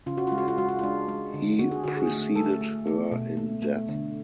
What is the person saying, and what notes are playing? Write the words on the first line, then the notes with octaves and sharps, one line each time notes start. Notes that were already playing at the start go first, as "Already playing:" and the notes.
He preceded her in death.
C#3 F4
F#4
G#3 F4
F#4
F4
G#3 F#4
F4
F4
G#3 D4
G#3
D3
D3 F#4
G#4
D3 F#4
G#4
A3
A3 A4
A3
A3
B2
A3
A3
D3